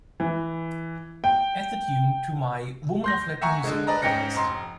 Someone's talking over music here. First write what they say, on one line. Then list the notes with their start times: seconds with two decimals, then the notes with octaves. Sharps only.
Add the tune to my Women of Latin Music playlist.
0.20 E3
1.24 G5
3.04 C6 G6 A#6
3.41 E5 F#5 G#5 A#5 C#6
3.64 D3 G#3
3.87 B4 D5 D#5 A5 A#5
4.02 G#2 C#4 G5 A#6 C#7
4.35 F1 A#5 C6